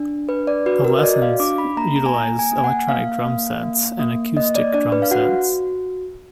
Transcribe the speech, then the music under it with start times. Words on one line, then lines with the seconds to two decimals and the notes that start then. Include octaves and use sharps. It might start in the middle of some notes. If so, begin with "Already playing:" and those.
The lessons utilize electronic drumsets and acoustic drumsets.
Already playing: D4
0.29 D4 B4
0.47 D5
0.66 F#4 B4
0.85 A#4
0.99 D#5
1.03 F#4 D5
1.22 F5
1.40 D4 D6
1.58 B5
1.77 A#3 A#5
1.96 A#5
2.06 G#5
2.14 A#3 A#5
2.39 G#5
2.52 A#3
2.58 G#5
2.64 F#5
2.88 A#3 F5
3.26 A#3
3.63 A#3
3.99 A#3
4.37 A#3 D#5
4.55 D5
4.74 D4 D5
4.92 B4
5.02 F5
5.11 F#4 F#5